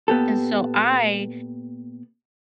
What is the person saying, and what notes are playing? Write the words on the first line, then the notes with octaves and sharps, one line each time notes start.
and so I
A#2 B3 G4 A4